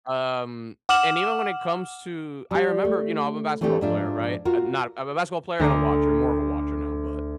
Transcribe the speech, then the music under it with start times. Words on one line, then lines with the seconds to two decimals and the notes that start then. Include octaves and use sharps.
um, and even when it comes to I remember you know, I'm a basketball player, right, I'm not I'm a basketball player and a watcher, more of a watcher now, but
0.89 F#5 D6 F6 E7 F#7
2.51 G3 G4
2.85 A3
3.61 E3 A3 C4 D4 E4 G4
3.81 G#2 F3 D4 F4 E5
4.45 F4 F#4 A#4
5.60 D2 D4 A#5